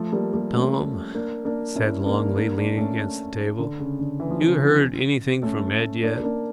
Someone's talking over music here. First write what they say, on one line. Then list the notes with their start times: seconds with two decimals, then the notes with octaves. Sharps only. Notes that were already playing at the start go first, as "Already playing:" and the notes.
"Tom," said Longley, leaning against the table, "you heard anything from Ed yet?"
Already playing: F3 A3
0.12 G3 A#3
0.34 G3 A#3
0.53 A3 C#4
1.14 A#3 D4
1.45 A#3 D4
1.75 C#4 E4
2.06 A#3 D4
2.37 A#3 D4
2.57 A#3 D4
2.78 A3 C#4
3.59 D3
3.79 C#3
3.99 D3
4.20 E3
4.31 F3
4.40 C#3 E3
5.43 A3 C#4
6.03 A#3 D4
6.23 A#3 D4